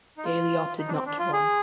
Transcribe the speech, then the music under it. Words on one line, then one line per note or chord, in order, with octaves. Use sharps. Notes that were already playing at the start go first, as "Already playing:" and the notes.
Daley opted not to run.
D#4
F4
D#4
D4
C4
D4
F4
G#4